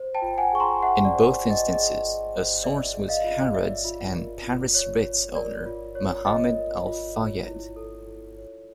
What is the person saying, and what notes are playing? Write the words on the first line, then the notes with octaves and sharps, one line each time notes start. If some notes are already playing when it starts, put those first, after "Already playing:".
In both instances, a source was Harrod's and Paris Ritz owner Mohammed Al-Fayed.
Already playing: C5
G5 A5
F4
F#5 G#5
G#4 C#6
A#5 C6
F4 E5 F#5
D5
C5
F4
D#5
G#4 D#5
F4
C5
F4 D5 E5
G#4
D#5 F5
F4
C#5 D5 E5
F4
A#4
F4
C#5
F4
A#4 D5
F4
C#5
F4 D#5
A#4
F4
C#5
E4
A4
E4
C#5